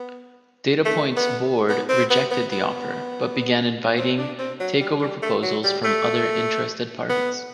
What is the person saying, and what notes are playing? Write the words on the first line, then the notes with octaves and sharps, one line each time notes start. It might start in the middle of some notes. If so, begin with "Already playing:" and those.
Datapoint's board rejected the offer but began inviting takeover proposals from other interested parties.
Already playing: B3
A3
B3
B3
C4
B3
B3
B3
C4
D4
C4
F#3
G3
G3
A3
F#3
G3
A3
B3